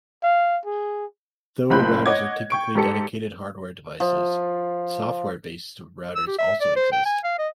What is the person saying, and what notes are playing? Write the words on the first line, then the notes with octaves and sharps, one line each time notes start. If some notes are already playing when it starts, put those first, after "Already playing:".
Though routers are typically dedicated hardware devices, software-based routers also exist.
F5
G#4
F#1 C#2 A2 B5 F#6 G6
C#5 D#5 F#5 D6 G#6
G5 C#6 D7
G#2 G4 A4 C#7
F3
E6
G4
E5
D5
C5
G5
G#5
F5
D#5